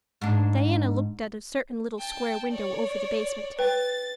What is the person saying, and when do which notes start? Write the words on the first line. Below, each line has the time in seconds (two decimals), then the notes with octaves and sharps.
Diana looked at a certain little square window over the basement.
0.21 G#2 D4
1.99 G5 A5
2.52 C#5 D5
3.59 B4 G5 A6